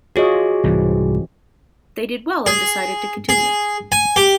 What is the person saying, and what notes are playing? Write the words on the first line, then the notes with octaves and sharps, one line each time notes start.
They did well and decided to continue.
F4 F#4 G#4 C#5 D#5
C2 G#2 E3 C4
G#4
G#4
G#5
G4